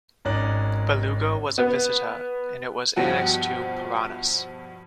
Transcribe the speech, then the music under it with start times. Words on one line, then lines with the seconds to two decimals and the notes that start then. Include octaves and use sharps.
Balugo was a visita and it was annexed to Paranas.
0.25 G#1 C#4 D#4 D5 F#6 F#7
1.58 B3
2.96 G2 B2 F3 F#5